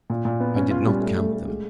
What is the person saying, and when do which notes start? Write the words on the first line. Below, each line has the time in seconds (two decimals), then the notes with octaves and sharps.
I did not count them.
0.10 A#2
0.25 A#2
0.40 B3
0.56 C#4
0.71 F4
0.87 G3
1.01 A3
1.17 A3
1.33 A3
1.48 G#3